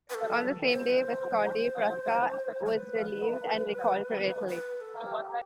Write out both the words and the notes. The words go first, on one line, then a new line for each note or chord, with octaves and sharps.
On the same day, Visconti Prasca was relieved and recalled to Italy.
B4
A4
C5
B4
C5
C5
B4
B4
B4
A4
G4